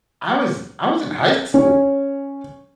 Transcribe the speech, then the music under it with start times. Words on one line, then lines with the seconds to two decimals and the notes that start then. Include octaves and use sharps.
I was I was in high school,
1.54 C#4